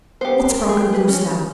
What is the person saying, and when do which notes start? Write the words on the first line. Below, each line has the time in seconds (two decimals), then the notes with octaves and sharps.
What's broke loose now?
0.21 B3 G4 C5
0.50 A#4
0.69 G4 G#4
0.93 G#4 B4
1.08 C#4